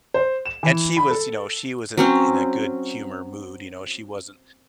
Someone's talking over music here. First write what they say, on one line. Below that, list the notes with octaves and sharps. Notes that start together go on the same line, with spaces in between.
And she was, you know, she was in in a good humor mood, you know, she wasn't,
C5
E7
E3
B5
A4
F#3 C4 C#4